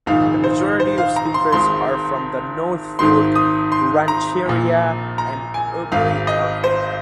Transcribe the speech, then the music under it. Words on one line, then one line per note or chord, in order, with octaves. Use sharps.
The majority of speakers are from the Northfork Rancheria and Auberry, California.
A#1 G#2 D#3 F5
C5
C5
F5
A#5
C6
G#1 G#2 D#3 C6
G#1 G#2 D#3 C6
D#6
C6
A#5
A#1 A#2
A#5
G#5
G#1 G#2 D#3 F5
D#5
C5